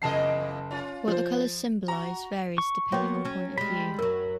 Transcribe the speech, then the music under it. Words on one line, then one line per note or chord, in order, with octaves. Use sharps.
What the colours symbolise varies depending on point of view.
F#1 E2 A#3 D#5 A5 C7
C#4 F4
F3 C5
F#4 A#5
C#6
A#3 B3 F#4 C#5 G5
F#3 C#4
G3 G#3 B5
F#2 F#3 A#4